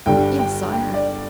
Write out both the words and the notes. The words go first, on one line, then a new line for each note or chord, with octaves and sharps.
"Yes, I have."
G1 G2 D3 G3 G5
G5
G5
D5